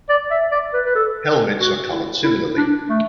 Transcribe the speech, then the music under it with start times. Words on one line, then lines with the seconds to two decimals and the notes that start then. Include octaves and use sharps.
Helmets are coloured similarly.
0.09 D5
0.31 E5
0.51 D5
0.73 B4
0.85 B4
0.95 A4
1.60 F#4
1.92 E4
2.24 E4
2.57 D4
2.89 A3